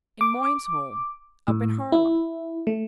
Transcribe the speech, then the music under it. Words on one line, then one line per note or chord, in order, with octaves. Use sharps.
"In Moyne's home--up in Harlem."
D6
A2
E4
A3